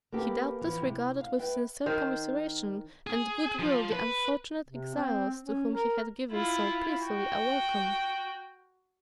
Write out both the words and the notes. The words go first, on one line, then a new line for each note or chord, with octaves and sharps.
He doubtless regarded with sincere commiseration and good will the unfortunate exiles to whom he had given so princely a welcome.
A#3 B3 G4 A4
E3 F3
C3
F5
B4 E5 G5
D#3 C5
G#4
F3
B4
C3
C4
C#4
A#4
E4 F4
F#4 G5